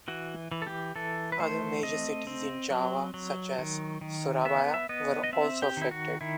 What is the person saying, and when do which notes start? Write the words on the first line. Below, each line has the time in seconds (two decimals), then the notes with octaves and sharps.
Other major cities in Java, such as Surabaya, were also affected.
0.08 E3 F#4
0.51 E3
0.62 A4
0.67 G4
0.96 E3 A4
1.32 B4
1.39 A3 C5
1.82 C4 D#5
2.27 C4
2.70 F#3
3.14 F#3
3.58 D#3
4.01 D#3
4.45 B3 E5
4.74 E5
4.89 B3 D#5
5.24 D#5
5.33 C4 E5
5.62 G4
5.77 D#3 E4
5.91 F#4
6.21 D#3 E4